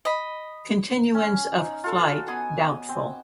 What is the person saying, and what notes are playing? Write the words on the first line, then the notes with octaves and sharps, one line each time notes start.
Continuance of flight doubtful.
D#5 B5
C#4
D#4
F4 A4 B4
F#4
B3 G#5 D#6
C4